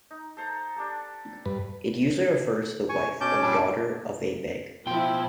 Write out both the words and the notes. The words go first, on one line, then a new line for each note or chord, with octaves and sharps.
It usually refers to the wife or daughter of a "beg".
D#4
A4 C5 A#5
D4 G4 A4
G2 B4
G#5 C#6
B2 C#4 A5 D6 G6
A#2 G3 D4
B2 F3 E4 G5 C6